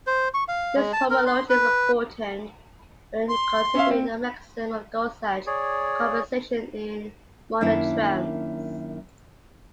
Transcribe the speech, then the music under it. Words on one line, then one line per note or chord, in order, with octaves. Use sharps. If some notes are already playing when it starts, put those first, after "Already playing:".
This homology is important when considering the mechanism of dosage compensation in monotremes.
C5
C#6
F5
G#3
A5
A#4
C6
B4
C6
C#4 E5 F5
C4
G#4 C#5 D5
F#2 D#3 A#3 D4 E4